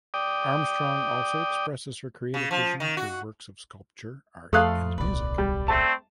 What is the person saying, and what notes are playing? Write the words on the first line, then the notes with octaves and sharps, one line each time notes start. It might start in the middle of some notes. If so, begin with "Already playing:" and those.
Armstrong also expresses her creative vision through works of sculpture, art, and music.
D5 G5 D#6
C#3
F3
D#3
F#4
F2 A3 A4 F5 C6 D#6 F#6
D1 B1 B4 D5
G3
A3 C4 A5